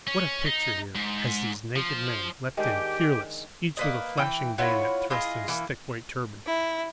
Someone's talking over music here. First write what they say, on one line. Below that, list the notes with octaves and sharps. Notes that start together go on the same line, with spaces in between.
What a picture here as these naked men leaped in, fearless, each with a flashing bayonet thrust in his thick white turban!
C#4
D#4
G#2
F3
D#3 G#3 D4 G4
A#3 B4 D#5
E3 G5
E4 F4 C#5 F#5
E4 F4 G#4 D#5
E3 A#3
E4